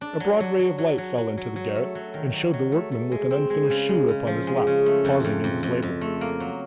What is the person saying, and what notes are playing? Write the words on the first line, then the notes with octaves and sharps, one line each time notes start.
A broad ray of light fell into the garret, and showed the workman with an unfinished shoe upon his lap, pausing in his labour.
D4
F#3
F#3
F#3
F#3
F#3
F#3
F#3
F#3
A3
F#3
D#3
F#3
F#3
A3
A3
G#3
C4
G#3
C#3
G#3
C#3
F3
G#3
C#3
A3
F2
F2
F2
F2
F2
A3
A#3
F#3